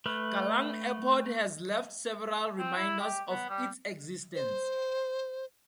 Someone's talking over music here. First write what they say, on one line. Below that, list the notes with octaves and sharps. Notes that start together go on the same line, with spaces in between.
Kallang Airport has left several reminders of its existence.
A3 B4 F6
C4
E4
G4
B3
G3
C5